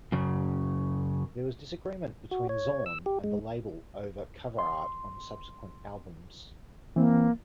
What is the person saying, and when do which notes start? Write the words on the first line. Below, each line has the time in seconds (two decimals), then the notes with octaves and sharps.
There was disagreement between Zorn and the label over cover art on subsequent albums.
0.12 F#2 C#3
2.31 F#4
2.49 C#5
2.86 E6
3.06 G4
3.24 G#3
4.59 C6
6.96 E3 A#3 C4